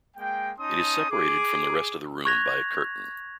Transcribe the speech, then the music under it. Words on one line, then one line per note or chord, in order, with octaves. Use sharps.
It is separated from the rest of the room by a curtain.
G#3 A#3 G5
C#4 D#4 A5 C6 D#6
G#4 D6
C#6 F#6 G#6 A#6 F7